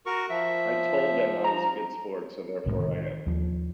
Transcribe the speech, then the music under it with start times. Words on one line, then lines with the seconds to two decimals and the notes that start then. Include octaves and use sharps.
I told them I was a good sport, so therefore I am,
0.06 F#4 A#4 C#6
0.30 F3 E5
1.44 A#5
2.66 C2 A2 F3 G#3
2.80 D#3
3.26 D#2 F3